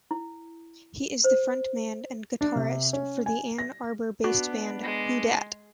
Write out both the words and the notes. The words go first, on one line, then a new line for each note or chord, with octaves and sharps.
He is the frontman and guitarist for the Ann Arbor-based band, Who Dat?
E4
C5
D4
C3
C#4
G#5
A#6
B3 D4 F#4
G#3